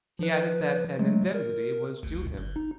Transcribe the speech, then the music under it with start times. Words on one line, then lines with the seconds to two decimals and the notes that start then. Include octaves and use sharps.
He added that an indemnity was due him.
0.19 F3 B4
0.99 F#3 G#3 A3
1.34 A#4
2.03 G1 D2
2.38 G1
2.56 D#4